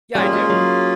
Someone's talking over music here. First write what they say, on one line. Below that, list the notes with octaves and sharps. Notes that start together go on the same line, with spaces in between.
Yeah, I do.
G3 A#3 C#4 F4 G#4
G#3
F#3